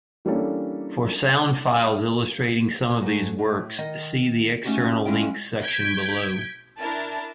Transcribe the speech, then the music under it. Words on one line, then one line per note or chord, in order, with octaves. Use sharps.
For sound files illustrating some of these works, see the "External links" section below.
E3 G3 A#3 C#4 D4 A4
G#2 A3
A2
D#3 D#5
A3 C#4 D#4 F#4 G4
G#3 C#4 E4 F4 G5
G6 G#6 B6 D7
D4 E4 A#4 A5